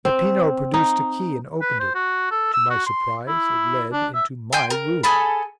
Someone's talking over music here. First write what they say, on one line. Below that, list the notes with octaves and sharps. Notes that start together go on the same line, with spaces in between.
Peppino produced a key and opened it; to my surprise it led into my room.
C4
D#4
B4
C5
F#4
A4
E6
F#4
C6
E4
D4
E5
G5 G#5 C6 G6
A#4
G#4 A4 G#5 B5